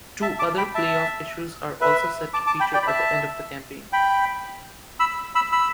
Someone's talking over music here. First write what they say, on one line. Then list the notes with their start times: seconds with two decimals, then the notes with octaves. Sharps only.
Two-other play-off issues are also set to feature at the end of the campaign.
0.22 E5 A5
0.39 A5 D6
0.58 G5 B5
0.75 E5 A5
1.81 B4 E5
2.34 A5 D6
2.47 A5 D6
2.60 G5 B5
2.73 D5 G5
2.82 B5
2.87 E5 A5
3.93 G5 B5
5.00 B5 E6
5.35 B5 E6
5.52 B5 E6